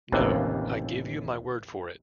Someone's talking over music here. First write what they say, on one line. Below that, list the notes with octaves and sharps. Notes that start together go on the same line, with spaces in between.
No; I give you my word for it.
A1 D#2 C3 E3 F3